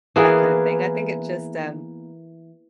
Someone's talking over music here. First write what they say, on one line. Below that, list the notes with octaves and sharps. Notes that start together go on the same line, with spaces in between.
that kinda thing, I think it just, um,
E3 A#3 B3 G#4